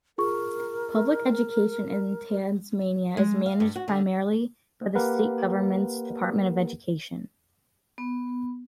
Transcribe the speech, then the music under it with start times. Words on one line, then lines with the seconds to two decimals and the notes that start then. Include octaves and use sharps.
Public education in Tasmania is managed primarily by the State Government's Department of Education.
0.18 F4 G#4 A#4 C#6
3.17 G#3
3.46 F5
3.60 G2
3.76 F#4
3.88 D3
4.95 A#3 G4 A#4 B4 F#5
7.98 B3